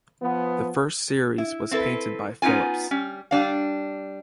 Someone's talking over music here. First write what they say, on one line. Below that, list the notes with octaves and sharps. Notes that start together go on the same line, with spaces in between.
The first series was painted by Philips.
F3 B3
E4
C4 E4 A4 B4
B3 C#4 D#4 F4 G#5
G3 C#4
G3 D4 F5